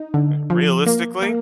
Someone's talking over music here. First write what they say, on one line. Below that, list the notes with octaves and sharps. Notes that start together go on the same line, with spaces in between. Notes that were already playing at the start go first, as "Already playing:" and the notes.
Mm. Realistically?
Already playing: D#4
D3
F3
A#3
A#3